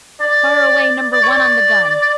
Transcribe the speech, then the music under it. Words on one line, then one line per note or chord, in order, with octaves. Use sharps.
Fire away number one on the gun.
D5
D5
C#5
D5